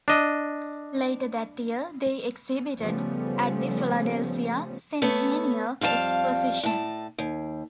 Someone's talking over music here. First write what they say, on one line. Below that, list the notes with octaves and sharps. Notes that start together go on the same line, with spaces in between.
Later that year they exhibited at the Philadelphia Centennial Exposition.
D4 D#5
C#3 F3 G3 A3 B3 C#4
A3 B3 A4 C#5
F2 G3 F5 A5
A2 A5
D#2